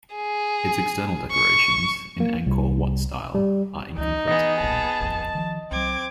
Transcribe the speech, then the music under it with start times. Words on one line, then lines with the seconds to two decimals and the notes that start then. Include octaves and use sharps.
Its external decorations, in Angkor Wat style, are incomplete.
0.15 G#4
1.32 C#6
2.20 A#3
2.46 C2
3.35 G3
3.98 C#2 E3 D#4
4.28 E3 B3 G#4 D#5
4.60 D#1 B1 A#2 A5
5.00 D#1 A1 F2
5.35 D#3 F3
5.71 C2 F#3 C4 D6 G#6